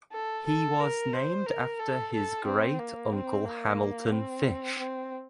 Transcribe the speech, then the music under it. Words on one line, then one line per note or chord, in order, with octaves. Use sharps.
He was named after his great uncle Hamilton Fish.
A4
A4
A#4
C5
A#4
A4
A4
C4
A#3
C4
A#3
C4
C4